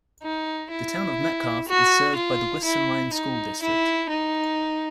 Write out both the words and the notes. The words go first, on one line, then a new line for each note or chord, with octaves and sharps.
The Town of Metcalfe is served by the Western Line School District.
D#4
E4
F#4
F4
E4
D#4
E4
D#4